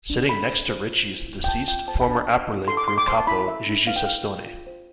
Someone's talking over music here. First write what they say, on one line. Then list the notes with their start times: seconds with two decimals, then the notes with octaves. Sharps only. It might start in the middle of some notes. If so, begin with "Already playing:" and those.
Sitting next to Richie is the deceased, former Aprile Crew capo Gigi Cestone.
0.10 D4
0.29 A4 B5
0.49 C5
0.69 C5
0.89 F4
1.09 E4
1.28 E4
1.44 G5
1.48 F4 A5
1.68 F4 G5
1.88 C5 A5
2.00 B5
2.08 D4 A5
2.28 B4
2.48 E4
2.67 A4 C6
2.77 D6
2.87 A4 C6
2.98 D6
3.08 C5 C6
3.18 A5
3.27 E4 B5
3.48 A4 E5
3.67 D4
3.87 B4 F5
3.96 G5
4.05 E4 F5
4.26 F4
4.47 F4
4.67 C5